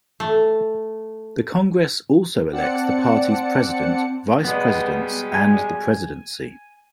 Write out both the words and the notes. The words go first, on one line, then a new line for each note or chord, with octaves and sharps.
The Congress also elects the party's President, Vice Presidents and the "Presidency".
A3
C4 D5 F#5 A5 C#7
B2 G3 G#3 B3
G#5